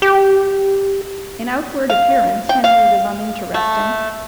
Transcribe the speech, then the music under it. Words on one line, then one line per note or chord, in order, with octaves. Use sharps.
In outward appearance Henry was uninteresting.
G4
F5
G5
F5
A3